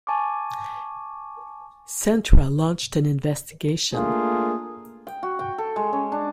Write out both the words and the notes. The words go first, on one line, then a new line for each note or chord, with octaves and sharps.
Centra launched an investigation.
G#5 A5 C#6 D6
A3 A#3 D4 F4 G#4
G5
F#4
G5
A4
G#3
C#4
D4